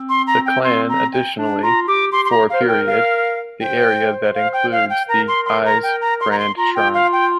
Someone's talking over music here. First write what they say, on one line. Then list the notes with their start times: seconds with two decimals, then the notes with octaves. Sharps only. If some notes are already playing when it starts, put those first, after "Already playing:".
The clan additionally, for a period, the area that includes the Ise Grand Shrine.
Already playing: C4
0.09 C6
0.27 A#5
0.46 G5
0.64 C6
0.89 A#5
1.13 G5
1.38 D4
1.63 F4 A#5
1.88 G4 D6
2.12 G4 C6
2.25 C6
2.31 A#5
2.50 C5 F5
2.61 A#4
2.68 G5
2.87 F5
3.61 C5 G5
4.35 F5
4.53 G5
4.72 F5
4.90 G5
5.08 A#4 A#5
5.28 C6
5.46 C6
5.65 A#5
5.83 G5
6.01 A#5
6.21 C6
6.31 A#5
6.39 C6
6.57 F4 A#5
6.75 G5
6.94 F5
7.13 G5